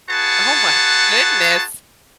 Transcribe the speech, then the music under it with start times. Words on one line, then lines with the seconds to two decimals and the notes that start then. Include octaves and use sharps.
Oh my goodness.
0.10 F4 G#4 B4 F#5 A5 C#6